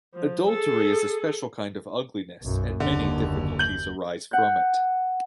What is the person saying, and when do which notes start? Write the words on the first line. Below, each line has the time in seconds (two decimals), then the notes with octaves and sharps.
Adultery is a special kind of ugliness and many difficulties arise from it.
0.14 F3
0.49 G#4 A4
2.42 B1 F#2
2.80 F#1 D#2 D3
3.59 G6 F#7
4.31 F#5 G6